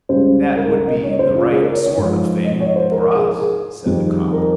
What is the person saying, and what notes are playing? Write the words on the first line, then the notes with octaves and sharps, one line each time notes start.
"That would be the right sort of thing for us," said the cock.
C#2 C#3 G3 C5
A#4
A#4
D#5
C#5
C5
F4
G#4
A#4
C#5
C#5
G#2 F3
D#5
C#5
C5
A#4
A#4
G#4
A#4
G#4
F2 D#3 G3
A#4